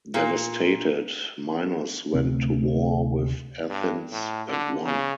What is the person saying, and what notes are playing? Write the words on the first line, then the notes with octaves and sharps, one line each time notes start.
Devastated, Minos went to war with Athens and won.
A#2
D2 C3 A3 C4
G2
A2
D3
C#3